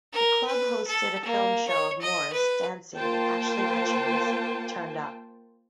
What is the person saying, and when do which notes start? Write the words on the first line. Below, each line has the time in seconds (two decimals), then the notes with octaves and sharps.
The club hosted a film show of Morris dancing and Ashley Hutchings turned up.
0.13 A#4
0.47 B4
0.87 A4
1.25 A#3
1.68 C#5
2.01 D#5
2.33 B4
2.98 A#3 F4 C5 G5 A5